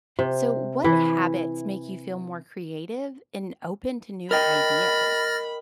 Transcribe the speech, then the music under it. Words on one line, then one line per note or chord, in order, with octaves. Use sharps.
So, what habits make you feel more creative and open to new ideas?
C3
E3 E4
A#4 D#5 G5 B5 F6 A6 A#6